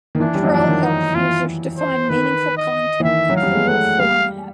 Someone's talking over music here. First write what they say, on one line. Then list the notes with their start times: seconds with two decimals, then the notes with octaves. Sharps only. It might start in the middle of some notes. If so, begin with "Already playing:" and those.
Trell helps users to find meaningful content in video format.
0.15 D#3
0.20 E3 D4
0.35 G3
0.43 F#3
0.51 F3 D4
0.60 E3
0.68 D#3
0.84 D#4
1.15 E3 F4
1.79 C5
2.10 D#3 B4
2.57 D#5
3.00 E3
3.04 D#3 E5
3.30 F#3
3.36 F5
3.42 G3
3.55 G#3
3.67 A3 F#5
4.00 G3 F5